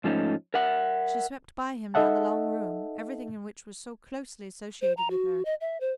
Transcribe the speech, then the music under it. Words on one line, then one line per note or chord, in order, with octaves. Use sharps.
She swept by him down the long room, everything in which was so closely associated with her.
G#2 F3 A3 C#4 D#4
A#4 E5 F#5
D#4 A4 D#5 E5 F#5 A5
C5
A#5
F#4
D#5
E5
C5